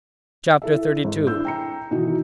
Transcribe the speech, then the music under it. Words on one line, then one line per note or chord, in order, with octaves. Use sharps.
Chap. XXXII.
E4 A4 E5
G#1
D4 E4 E6 G6
G5 A#5 C#7
B2 D#3 E3 D#4 F#4